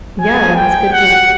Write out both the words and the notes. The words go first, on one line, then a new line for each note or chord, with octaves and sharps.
Yeah, it's good to
G#5
G5
F#5